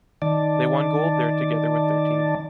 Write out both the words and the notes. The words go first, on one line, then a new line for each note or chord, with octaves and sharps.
They won gold there together with their team.
D#3 D5 A5